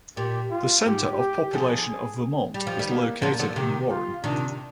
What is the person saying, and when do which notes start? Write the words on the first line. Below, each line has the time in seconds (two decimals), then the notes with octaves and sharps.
The center of population of Vermont is located in Warren.
0.17 A#2 G4
0.51 F4
0.86 G#2 G4
1.19 G4
1.53 D3 F3 G#4
2.54 G3 G4
2.67 F3
2.79 D#3 G3
2.88 A#3
3.22 D3 F3 A#3
3.39 D3 F3
3.56 C3 D#3 G4
3.90 F4
4.23 C3 D#3 D4